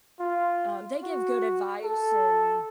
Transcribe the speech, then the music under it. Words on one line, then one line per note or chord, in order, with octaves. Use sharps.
um, they give good advice, and,
F4
F#4
A4